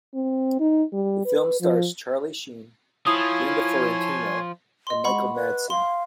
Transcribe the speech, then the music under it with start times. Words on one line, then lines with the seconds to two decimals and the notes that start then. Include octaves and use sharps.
The film stars Charlie Sheen, Linda Fiorentino, and Michael Madsen.
0.14 C4
0.60 D#4
0.93 G3
1.26 B4
1.61 F3
3.07 F3 E4 C#5 G#5 C6 D#6
4.87 D#5 C6
5.04 G#3 F#5 B5 C#6
5.35 B4
5.70 F5 C6